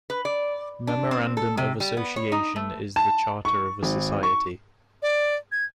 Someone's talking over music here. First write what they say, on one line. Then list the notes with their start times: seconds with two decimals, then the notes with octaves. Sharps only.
Memorandum of association is the charter of a society.
0.10 B4
0.25 D5
0.87 D4
1.11 C4
1.37 A4
1.57 C3
1.80 G3
1.97 B3
2.16 C#5
2.32 D#4
2.56 A3
2.96 A5
3.45 C#6
3.83 G#1
4.23 C#6
5.02 D5
5.52 G#6